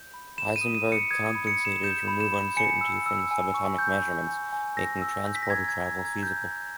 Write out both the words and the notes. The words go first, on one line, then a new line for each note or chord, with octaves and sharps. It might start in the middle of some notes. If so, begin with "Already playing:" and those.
Heisenberg compensators remove uncertainty from the subatomic measurements, making transporter travel feasible.
Already playing: G6
B5
B5 E7
D#7
D#6
D#7
B5
C#7
D#6 G#6
B5
C#7
B5
E7
G6 E7
B5
E7
B5
G#5 C#7
E6
E6
G#5
C#6
G6
E6
G#5
G#5
E6 A#6
E6
G6
B6
A#6
A#5 G#6
G#6
A#5
G#6
A#5
G#6
E6 G6
A#5